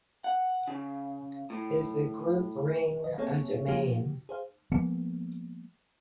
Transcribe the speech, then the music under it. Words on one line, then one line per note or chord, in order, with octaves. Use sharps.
Is the group ring a domain?
F#5
C#3
A2
D#5
A#3 C4 G#4 A4 C#5 E5
F3 G#3 A#3 F#4 G4
G#4 C5 F5
F3 G#3 A#3 B3